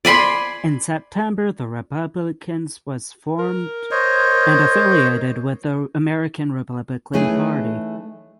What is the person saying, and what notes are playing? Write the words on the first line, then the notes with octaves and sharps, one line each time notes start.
In September the Republicans was formed and affiliated with the American Republican Party.
D5 G#5 B5 C6
A#4
C5 C#5 D#5
E3 A3 C#4 D#4 G#4